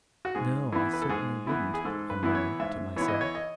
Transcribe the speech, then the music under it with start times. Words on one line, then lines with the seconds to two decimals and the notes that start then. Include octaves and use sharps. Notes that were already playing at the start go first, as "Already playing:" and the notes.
"No, I certainly wouldn't," I murmured to myself.
0.25 F#4
0.35 G#2 G#4
0.72 E3 B3 E4
0.93 B4
1.02 A4
1.09 G#2 G#4
1.47 E3 B3 E4
1.74 G#4
1.85 G#2 A4
2.10 B4
2.23 E3 B3 E4
2.35 C#5
2.59 G#2 E5
2.96 E3 B3 E4 C#5
3.08 D#5
3.21 C#5
3.35 D#5